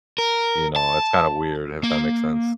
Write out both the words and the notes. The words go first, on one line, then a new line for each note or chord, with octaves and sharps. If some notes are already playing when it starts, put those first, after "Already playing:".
you know, it's kinda weird, if that makes sense.
A#4
A5
A#3